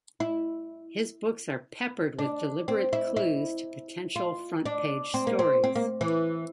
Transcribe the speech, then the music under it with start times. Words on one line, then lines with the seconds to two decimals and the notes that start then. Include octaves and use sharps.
His books are peppered with deliberate clues to potential front-page stories.
0.20 E4
2.19 D4
2.68 C4
2.93 E4
3.16 E4
4.16 F4
4.66 D4
5.14 C4
5.27 A#3
5.39 C4
5.64 C4
5.75 A#3
6.01 E3